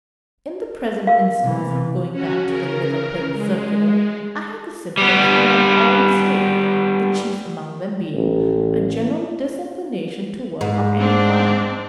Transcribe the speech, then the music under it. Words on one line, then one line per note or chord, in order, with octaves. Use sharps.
In the present instance, going back to the liver-pill circular, I had the symptoms, beyond all mistake, the chief among them being "a general disinclination to work of any kind."
A#4 F5
C3 E3
C#4 F#4
C#3 A#4
G#3
G3 B3
A1
G#2
C4 D4